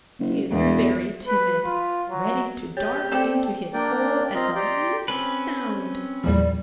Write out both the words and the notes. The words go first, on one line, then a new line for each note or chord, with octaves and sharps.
He is very timid, ready to dart into his hole at the least sound.
F#1
E1 E2 E3
B4
F4
F#3
G4 C#5
C4 A4 D5 G5
A#3 D4 D5 G5
C4 F4 D#5 F5 A#5
G4 D5 G5 A#5 C6
C4 C#4 B4
E2 A#2 F3 G3